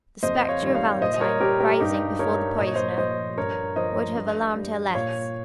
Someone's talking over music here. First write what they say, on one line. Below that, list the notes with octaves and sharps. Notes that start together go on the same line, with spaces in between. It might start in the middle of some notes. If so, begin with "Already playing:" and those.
The spectre of Valentine rising before the poisoner would have alarmed her less.
F2 C5 D#5
C#5 F5
D#3 G3
C#5 F5
A#2 C5 D#5
D#5
A#4 C#5
G3 G4 A#4
G4 A#4
G2 D#4 G4
G3 A#4 C#5
A#2 D#5
C#5
C5 D#5
F3 C5 D#5
G2 A#4 C#5
F3 C5 D#5
G2
G3
A#2 C#5 F5